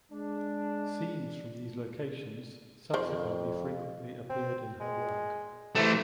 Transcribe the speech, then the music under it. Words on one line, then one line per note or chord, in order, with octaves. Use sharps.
Scenes from these locations subsequently frequently appeared in her work.
G#3 D4
F2 D#3 C5 D5
C4
G#3
C3 E3 A3